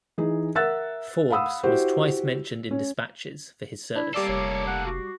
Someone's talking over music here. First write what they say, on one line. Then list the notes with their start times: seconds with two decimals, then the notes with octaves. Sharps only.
Forbes was twice Mentioned in Dispatches for his service.
0.18 E3 D#4 G#4
0.55 A#4 E5 F#5 E6 F#6 A6
1.30 F5 F#5 B5 D#6 E6
1.63 E4 F#4 G4 C5
2.71 C#4
3.96 D4 E4
4.14 G3 A#3 A4 D5 D6 C7
4.28 F1 C#5
4.67 F#5
4.86 F#4